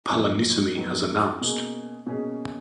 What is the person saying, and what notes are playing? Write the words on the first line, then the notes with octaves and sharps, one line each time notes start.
Palanisamy has announced.
F2 D#3 F#3 B3
F2 D#3 F#3 B3
B2 A#3 C#4 G#4
B2 A#3 C#4 G#4